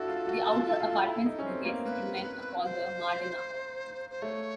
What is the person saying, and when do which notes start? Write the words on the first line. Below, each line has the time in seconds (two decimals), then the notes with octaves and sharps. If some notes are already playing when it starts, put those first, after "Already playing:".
The outer apartments for guests and men are called the "Mardana".
Already playing: D4 E4 F#4 A4
0.08 F4
0.27 F#4
0.53 F4
0.80 F4
1.07 E4
1.26 D#4
1.39 C#4
1.46 C4
1.61 B3
1.65 A#3
1.85 A#3 B4
2.64 C5
4.10 C5
4.22 A3 C#5